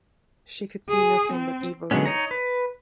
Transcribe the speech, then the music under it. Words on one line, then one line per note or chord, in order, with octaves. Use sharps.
She could see nothing but evil in it.
G#4
C4
D3 F#3 G#3 B3 C#4
D#4 C#5 A#5
B4